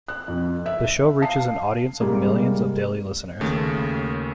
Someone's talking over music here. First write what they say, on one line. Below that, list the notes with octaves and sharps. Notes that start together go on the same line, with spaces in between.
The show reaches an audience of millions of daily listeners.
F#6
F2
E5
F5 A5 C7
G#2 C3 G3 A#3
D#2 C#3 A3